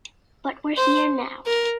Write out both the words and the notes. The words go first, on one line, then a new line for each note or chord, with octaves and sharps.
But we're here now.
C5
A#4